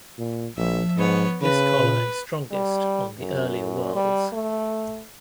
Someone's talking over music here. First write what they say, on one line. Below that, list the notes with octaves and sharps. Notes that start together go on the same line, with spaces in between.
This collar is strongest on the earlier whorls.
A#2
A#1 F3 E5
G#2 B3 C#5
C#3 B4
A#2
G3
F#2
G3
A3